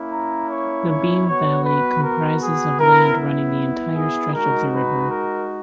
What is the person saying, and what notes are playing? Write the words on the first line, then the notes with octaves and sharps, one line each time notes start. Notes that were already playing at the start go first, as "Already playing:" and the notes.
The Beam Valley comprises of land running the entire stretch of the river.
Already playing: A#3 C#4 E4
A#5
C#5
C#5
B3 F#4 C#5
B4
A#4
G#4
B3 E4 A#4
G#4
G#3 D#4 F#4 A#4
B4
A#4